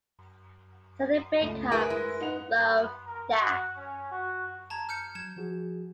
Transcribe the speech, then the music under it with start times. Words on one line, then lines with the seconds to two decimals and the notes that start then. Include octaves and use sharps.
Sending big hugs, love dad.
1.41 C#2 A3
1.72 G#4 A#4 B4 E5 D7
1.90 G#3 E4
2.21 D#4 F#5 F7
2.65 B3
3.07 A#4
3.38 F#4
3.77 C#4
4.11 F#4
4.70 A5 A#5 G#6
4.89 F6 G6 C#7
5.15 F#3 G6 G#6 E7
5.36 F3 F#4 G#4